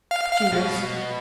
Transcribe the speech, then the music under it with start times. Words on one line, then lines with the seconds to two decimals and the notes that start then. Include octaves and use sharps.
"She was."
0.11 F5
0.33 F5
0.52 B2